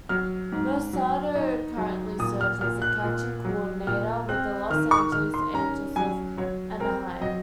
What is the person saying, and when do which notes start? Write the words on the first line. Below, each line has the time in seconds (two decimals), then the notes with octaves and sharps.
Mercado currently serves as a catching coordinator with the Los Angeles Angels of Anaheim.
0.09 F#3 F6
0.52 G#2
0.93 F#3
1.35 D#4
1.77 F#3
2.19 A#2 D#6
2.41 F6
2.61 A#2 F6
2.82 F#6
3.03 A#2
3.45 F#3
3.87 A#2 F6
4.29 C4 F#6
4.70 D#3 F6
4.91 C#6
5.12 D#3 F6
5.34 C6
5.54 C#4 A#5
5.96 F#3 G#5
6.37 F#3 C#5
6.80 C4 A#4
7.21 F#3 D#5